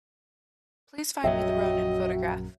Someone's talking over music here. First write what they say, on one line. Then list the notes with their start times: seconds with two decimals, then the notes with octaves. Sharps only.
Please find me the Rounin photograph.
1.24 A#1 F#2 F#3 F#4 C#5 D#5 E5 G5